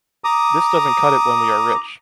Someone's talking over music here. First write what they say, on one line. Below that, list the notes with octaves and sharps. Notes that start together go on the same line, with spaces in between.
This doesn’t cut it when we are rich.
A#5 D6 D#6